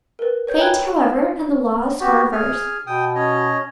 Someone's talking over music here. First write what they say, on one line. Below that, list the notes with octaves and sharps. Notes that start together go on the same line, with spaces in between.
Fate, however, and the laws are averse.
A#4 B4
B4 C#5 G6
G5 G#5 A#5 B5 F#6 G#6
B3 F#4 G4
G#4 G#5 F6
B2 G5 D#6
C#4 C#5 D#5